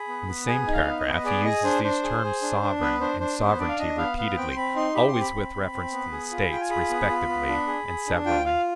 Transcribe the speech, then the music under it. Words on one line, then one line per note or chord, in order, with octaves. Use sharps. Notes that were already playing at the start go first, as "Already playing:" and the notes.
In the same paragraph he uses these terms, "sovereign" and "sovereignty," repeatedly--always with reference to the States, respectively and severally.
Already playing: G#4 B5
B3
B3
G#4 G#5
D#4
F5
B3
D#5
B3
G#4 D5
G#4 D#5
D4 C5
D4 C5
G#4
G#4
D4
D4
B3 B4
D4 C5
D4 C5
B3 C5
D4 D5
F5
D4 D#5
B3 F5
B3 F5
C4 G5
C6
C4 B5
D#4 C6
G4 B5
C6
C4
B5
C4
C4
C4
B3
G#4
F4
F4 G5
G#5
G#4 B5
B3
F4
B3
D4
G#4
G#4
D4
F4 G5
F4 F5